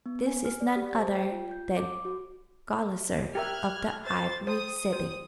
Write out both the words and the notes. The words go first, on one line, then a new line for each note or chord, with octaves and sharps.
This is none other than Gulizar of the Ivory City.
B3
G#5
F6
D5
G4
C5
G5
F4
G6
D6
F#4
G4 A#4 E5 F6 F#6 G#6
C5 A6
C5 D#6
C5